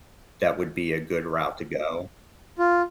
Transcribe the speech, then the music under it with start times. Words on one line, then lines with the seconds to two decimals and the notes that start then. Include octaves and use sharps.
that would be a good route to go.
2.59 F4